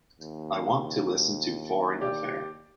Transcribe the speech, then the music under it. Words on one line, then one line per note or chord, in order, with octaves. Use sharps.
I want to listen to Foreign Affair.
D#2
G4 D5